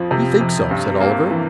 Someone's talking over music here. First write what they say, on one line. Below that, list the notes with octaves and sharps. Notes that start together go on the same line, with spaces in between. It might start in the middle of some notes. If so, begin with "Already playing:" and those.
"We think so," said Oliver.
Already playing: F2 F3
C3
F2
G2
A#3
E3